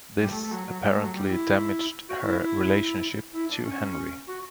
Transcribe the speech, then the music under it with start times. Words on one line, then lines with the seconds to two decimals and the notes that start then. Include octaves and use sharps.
This apparently damaged her relationship to Henry.
0.20 G3
0.30 A3
0.41 A3
0.51 F#3
0.67 F#3
0.82 G3
0.93 A3
1.03 F#3
1.14 G3
1.29 E4
2.08 F#4
2.23 E4
2.39 E4
3.33 E4
3.49 D4
3.64 C#4
4.27 F#4